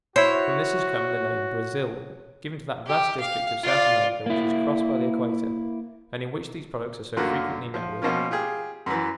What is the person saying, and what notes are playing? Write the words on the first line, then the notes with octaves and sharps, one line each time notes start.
From this has come the name "Brazil," given to that vast district of South America which is crossed by the equator, and in which these products are so frequently met with.
E4 F#4 C5 C#5
G4
F5
F4 D5
A#3 E4
F#2 D3 A3 A#3 F4 F#4
F3
B2 F3 A#3 C#4 F4
F4 G4 G#4
F#2 E3